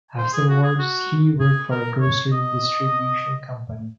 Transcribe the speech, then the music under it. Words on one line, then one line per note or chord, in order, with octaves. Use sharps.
Afterwards, he worked for a grocery distribution company.
C5
G#4
F#4
G#4
F#4
G#4
A#4
C#5
D#5